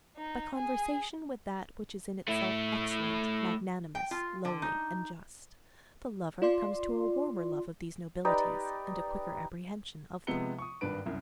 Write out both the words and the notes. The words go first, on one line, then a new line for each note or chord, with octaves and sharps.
By conversation with that which is in itself excellent, magnanimous, lowly, and just, the lover comes to a warmer love of these nobilities, and a quicker apprehension of them.
D#4
G#4
A3 E4
G5
F4
D3
D#4
F4 D5 C6
D#4 G4 B4 D5
C3 F3 G#3 B3 C#7 G7
C#6 D#6
G#1 G2 D4 B4 D7
C2 F#2